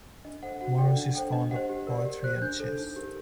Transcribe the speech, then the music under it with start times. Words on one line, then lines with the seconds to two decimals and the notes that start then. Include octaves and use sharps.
Moroz is fond of poetry and chess.
0.25 D4 D#5
0.43 A4 C5 F#5
0.61 F#4 F#5
0.78 A4 D5 G5
0.96 D4 F#5
1.15 A4 C5 G5
1.33 D4 D#5
1.51 G4 C5 F#5
1.69 G4
1.87 A#4 D5
2.05 G4
2.24 C5 F#6
2.42 D4 G6
2.60 A4 C5
2.78 D#4
2.96 G4 A#4